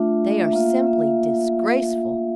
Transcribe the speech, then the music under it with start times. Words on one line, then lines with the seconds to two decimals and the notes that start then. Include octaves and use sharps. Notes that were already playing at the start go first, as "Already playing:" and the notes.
They are simply disgraceful.'
Already playing: A3 D4 F4 E5
0.44 E5
0.53 A#3 F4 F5
0.87 E5